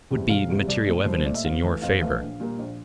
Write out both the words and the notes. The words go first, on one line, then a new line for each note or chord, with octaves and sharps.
It would be material evidence in your favor.
E2 C3 G3
E1 F5
E2 C3 G3
C2 D5
A#2 A3
C2 C5
C5
A#2 A3 D5
E5
F2 F5
E3 A3
F2 F5
E3 A3 F5
A#1
A#2 G3 A#3
A#1